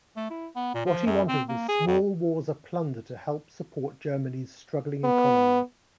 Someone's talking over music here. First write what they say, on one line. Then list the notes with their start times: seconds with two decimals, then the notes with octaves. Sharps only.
What he wanted was small wars of plunder to help support Germany's struggling economy.
0.17 A3
0.30 E4
0.56 B3
0.74 A#2
0.86 F3
1.06 F#2
1.28 C4
1.49 A#3
1.69 G#4
1.87 F2
5.04 B3